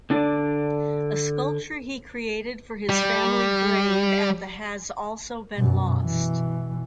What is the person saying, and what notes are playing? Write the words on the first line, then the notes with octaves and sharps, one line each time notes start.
A sculpture he created for his family grave at the has also been lost.
D3 D4 D5
G3
F#2 B2
B2 E3